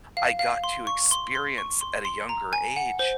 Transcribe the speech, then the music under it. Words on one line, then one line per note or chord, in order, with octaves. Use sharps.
I got to experience at a younger age
F5
F5
C6
C#6
C6
C6
C#6
C6
C6
A#5
G#5
F#5
C5